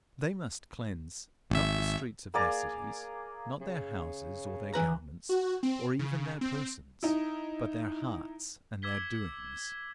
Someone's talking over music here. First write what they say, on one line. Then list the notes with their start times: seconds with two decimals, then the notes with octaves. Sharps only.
They must cleanse, not the streets of their cities, not their houses or their garments or even their persons, but their hearts and their doings.
1.50 G#1 E5
2.34 A#3 G#4 D5 A#5
3.60 C#3
4.74 E3 B4 A#5
5.29 F#4
5.63 C4
5.99 C#3
6.41 C4
7.03 D#4 E4
8.82 D6 E6 G#6 B6 G7